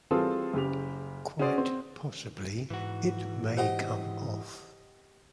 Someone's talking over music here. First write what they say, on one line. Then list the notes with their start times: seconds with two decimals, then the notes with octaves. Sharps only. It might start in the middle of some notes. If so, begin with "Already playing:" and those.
Quite possibly it may come off.
0.11 E3 G3 C4 F4 G#4 A4
0.54 F#1 C#3 G4 F7
1.39 C#4 F#4 G#4 C5 D5
1.58 C4
2.70 G#2 E3 F#4
3.57 G4 C5 D#5 F#5 G5